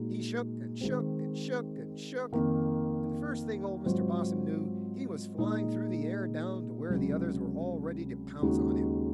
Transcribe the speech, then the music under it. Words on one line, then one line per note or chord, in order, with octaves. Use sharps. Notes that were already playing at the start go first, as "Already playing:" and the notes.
He shook and shook and shook and shook, and the first thing old Mr. Possum knew, he was flying through the air down to where the others were all ready to pounce on him.
Already playing: A#2 G#3 D#4 F#4
D#3 G#3 C4
F2 D#3 A#3
G#2 F#3 C4 F4 C5
A#2 G#3 D#4 G#4 D#5
C#2 C3 F#3
D#2 C#3 G#3 D#4 F#4